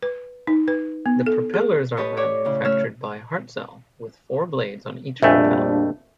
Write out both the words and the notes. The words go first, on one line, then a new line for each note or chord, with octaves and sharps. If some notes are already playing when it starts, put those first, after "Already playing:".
The propellers are manufactured by Hartzell, with four blades on each propeller.
B4
D#4
B4
B3
A4
G#4
G4 B4 C#5 D#5 A5 C#6
C#5 D5 E5 D6
A2 C#3 E4
A3 C#4 C#5 E6 F6
A#1 F2 A#2 G3 A3 D4 E5 G#5